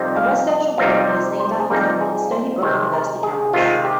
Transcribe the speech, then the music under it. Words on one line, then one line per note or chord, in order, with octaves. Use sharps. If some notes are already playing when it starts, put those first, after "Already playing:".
A residential building is named after him on the Stony Brook University campus.
Already playing: F2 C3 G3 C4 D#4
F5
D#5
F2 C3 G3 C4 D#4 F5
C5
C5
G#4
F2 C3 G3 C4 D#4 A#4
G#4
C5
C3 D#3 G#3 C4 C5
A#4
G#4
C3 D#3 G#3 C4 F4
G4